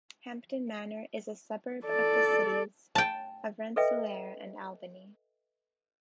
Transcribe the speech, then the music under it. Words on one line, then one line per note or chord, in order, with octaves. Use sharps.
Hampton Manor is a suburb of the cities of Rensselaer and Albany.
A4 D5
G5 A5
A4 B4 D#5 E5 G5